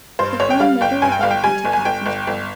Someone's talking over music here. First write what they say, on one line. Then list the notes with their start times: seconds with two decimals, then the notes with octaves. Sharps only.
The column later evolved into Captain's Blog.
0.19 G2 C5
0.40 G1 C#5
0.50 G5
0.60 G3 F5
0.81 G1 G5
1.02 G2 G#5
1.12 G5
1.21 G1 F5
1.31 G5
1.44 G3 G#5
1.65 G1
1.73 G#5
1.85 G1 G5
2.06 G1
2.27 G1